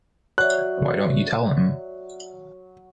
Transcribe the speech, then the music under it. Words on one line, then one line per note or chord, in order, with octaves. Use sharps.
Why don’t you tell him?
F#3 C#5 D5 E5 F#6